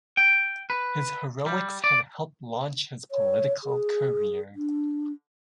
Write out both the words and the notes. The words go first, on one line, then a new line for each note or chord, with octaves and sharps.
His heroics had helped launch his political career.
G5
B4
G3
D5
C#5
G#4
D4